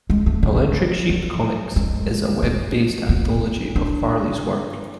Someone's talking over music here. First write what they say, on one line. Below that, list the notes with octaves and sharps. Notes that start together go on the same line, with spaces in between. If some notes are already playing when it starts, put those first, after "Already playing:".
Electric Sheep Comix is a Web-based anthology of Farley's work.
G#3
A3
D3
F#3
G#3
A3
B3
D4